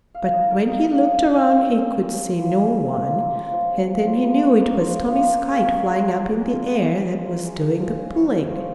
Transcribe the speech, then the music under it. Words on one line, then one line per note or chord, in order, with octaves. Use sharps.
But when he looked around he could see no one, and then he knew it was Tommie's kite, flying up in the air, that was doing the pulling.
F5
D#4
A#4
D#4
F5
D#4
F5
C#4
G#4
C#4
F5
C#4
F4
A#3
C#4
A#3
F4
A#3
F4
F3
G#3
F3
F4
F3
C#5
A#3
F4
F5
C#5
A#3
G#4
G#3
F4
G#3
G#4
G#3
A#4
G#3
C#4
G#3
A#4
G#3
G#4
F3
C#4
C#5
G#4
F3